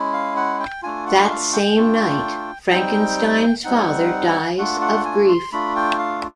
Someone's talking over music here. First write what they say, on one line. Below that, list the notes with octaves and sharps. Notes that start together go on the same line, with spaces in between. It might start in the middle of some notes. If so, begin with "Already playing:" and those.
That same night, Frankenstein's father dies of grief.
Already playing: G#3 C#4 E4
F5
F#5
G5
A3 D4 F4 G#5
F#5
F5
G5
A3 D4 F4
G3 C4 D#4 G5
G3 C4 D#4 F#5
A3 D4 F4 F#5
F#5
G#5
C6
A3 D4 F4 B5
G5
F5